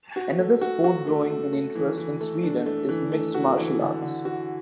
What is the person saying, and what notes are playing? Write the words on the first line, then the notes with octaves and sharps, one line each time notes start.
Another sport growing in interest in Sweden is mixed martial arts.
F#4
A3
F#4
F#4
A3
A3
A3
E3
E3
A3
D4
A3
E3
A3
F#4
E3
D3
D3
F#4